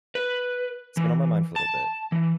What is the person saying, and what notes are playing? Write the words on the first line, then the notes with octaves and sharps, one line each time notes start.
it's been on my mind for little bit
B4
E3
A5
E3